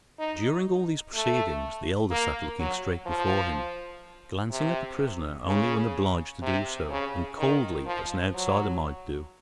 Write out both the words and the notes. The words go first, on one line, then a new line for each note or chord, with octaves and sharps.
During all these proceedings the Elder sat looking straight before him, glancing at the prisoner only when obliged to do so, and coldly as an outsider might do.
D#4
A3
A#3
F#3
F3
C3
C#3
C3
C#3
D#3
F3
F#3